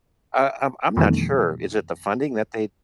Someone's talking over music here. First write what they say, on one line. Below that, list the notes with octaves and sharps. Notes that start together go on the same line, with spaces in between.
Uh, I'm I'm not sure. Is it the funding that they
F2 B2 D#3 E3 G3 A3